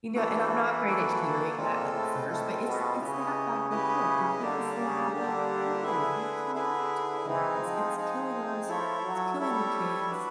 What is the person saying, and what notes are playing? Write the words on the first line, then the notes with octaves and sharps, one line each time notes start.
you know, and I'm not great at hearing that at first, but it's it's that back and forth, and he does things, I'm like, "No, we cannot do it like this, it's killing us, it's killing the kids.
E3 A#3 D4 F#4 A4
A#3 D4 F#4 A4
A#2 G#3 C4 F4 A4
A2
A2 G#3 C4 F4 A4
B2
C#3 E4 G4 B4 D#5
E4 G4 B4 D#5
D3 G3 A#3 D4 G4
C#3
D3 G3 A#3 D4 G4
E4 G#4 B4 E5
E4 G#4 B4 E5
E3 G#3 C4 D#4 G#4
F3
G#3 C4 D#4 G#4
F3 E4 A4 C#5 E5
F#3
G3 E4 A4 C#5 E5
D4 F#4 B4